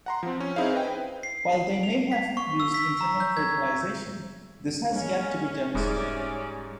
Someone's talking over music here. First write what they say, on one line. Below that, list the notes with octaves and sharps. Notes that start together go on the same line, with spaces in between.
While they may have used internal fertilization, this has yet to be demonstrated.
F#5 A#5 C6
F3 C4
C#4
C4 D#4 E4 G#4 C5 F5
B4 D#5 G5
C7
F7
B6
C#6
E6
B6
A#5
G6
G#6
G3 G#3 C#4
E1 G#2 G3 C#4 D5 E5